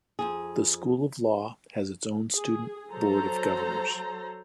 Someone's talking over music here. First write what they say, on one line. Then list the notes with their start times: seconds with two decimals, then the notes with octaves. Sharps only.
The School of Law has its own Student Board of Governors.
0.19 F2 G#4
2.35 G#4
2.90 F#3 A4 C5 A#5